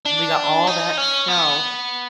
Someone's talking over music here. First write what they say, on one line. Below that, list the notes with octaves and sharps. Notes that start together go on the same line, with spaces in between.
We got all that snow
D4
D#4
C#4
B3